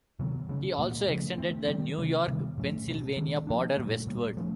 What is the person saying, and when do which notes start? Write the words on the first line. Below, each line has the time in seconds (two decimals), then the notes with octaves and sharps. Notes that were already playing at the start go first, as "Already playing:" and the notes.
He also extended the New York - Pennsylvania border westward.
0.19 C3 D#3 F#3 B3
0.49 C#3 E3 G#3 C#4
0.78 A#2 F#3 A#3
1.08 C#3 F3 A3 C#4
1.38 E3 A3 C4
1.68 D#3 G3 C4
1.99 C3 D#3 G#3 C#4
2.28 C3 D#3 G3 B3
2.58 A2 F3 A3 C#4
2.88 B2 G#3 B3 D4
3.17 D#3 G#3 B3 D4
3.47 F3 A#3 D4
3.77 A#2 F#3 A3
4.07 A#2 G3 A#3
4.37 F3 A3 C#4